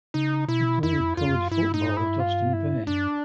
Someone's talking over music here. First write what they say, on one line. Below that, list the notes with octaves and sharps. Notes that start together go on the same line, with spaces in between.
He played college football at Austin Peay.
C#3 D#4
B2 E4
F2 E4
F2
F2 F4
F2
F#2
G2 E4
D#4
E4
F4
E4
F#2 D4